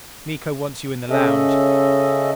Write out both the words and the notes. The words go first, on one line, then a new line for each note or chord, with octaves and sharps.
"Miko wants you in the lounge."
C#3 C#4 A4 D#5 E5